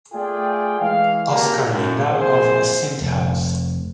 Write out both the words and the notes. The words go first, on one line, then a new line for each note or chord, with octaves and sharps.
Oscar Linda of Assynt House.
A3 F4 G#4 D5 G5
E3 G#3 F5
G#1 C#2 A#3 G4 A5 A#5
F#2 A2
F2 A#2 E3 G#4 C5
F1